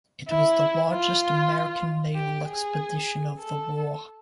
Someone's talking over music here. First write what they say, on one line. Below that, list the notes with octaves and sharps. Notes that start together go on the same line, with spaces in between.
It was the largest American naval expedition of the war.
E4
F4
G4
G#4
A4